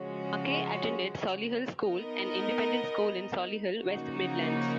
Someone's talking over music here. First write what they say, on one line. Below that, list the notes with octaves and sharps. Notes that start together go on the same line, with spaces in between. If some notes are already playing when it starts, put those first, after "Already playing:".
MacKay attended Solihull School, an independent school in Solihull, West Midlands.
Already playing: C#3 F3 G#3 C#4 F#4
B3 D#4 A#4 D#5
C#3 F3 A#3 D#4 F#4